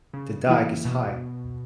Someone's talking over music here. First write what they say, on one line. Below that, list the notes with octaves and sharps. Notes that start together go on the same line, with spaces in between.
The dyke is high.
C#3
E3 A#3 E4
B2